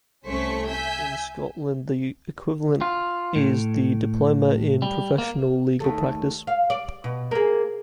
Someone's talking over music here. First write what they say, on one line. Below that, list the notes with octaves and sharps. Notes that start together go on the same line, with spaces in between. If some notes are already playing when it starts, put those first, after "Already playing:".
In Scotland, the equivalent is the Diploma in Professional Legal Practice.
C2 A3 C#4 C5 C#6 B6
E5 G#5 E6 G6 B6
F4
A2
G3
A#3
D#2 A3
F5
D5
B2
A#3 G#4